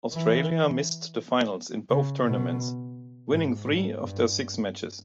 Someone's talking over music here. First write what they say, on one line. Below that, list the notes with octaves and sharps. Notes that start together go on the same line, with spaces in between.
Australia missed the finals in both tournaments, winning three of their six matches.
E3
C#3
B2
G#2
G#2
G2